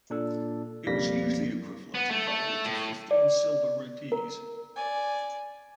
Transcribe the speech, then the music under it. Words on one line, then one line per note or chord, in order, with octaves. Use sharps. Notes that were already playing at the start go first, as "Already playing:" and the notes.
It was usually equivalent in value to fifteen silver rupees.
A#2 D4 A4
B1 F2 G3 A#3 A#6 B6
B3
A3
A3
A2
D5
A#4
D5 G#5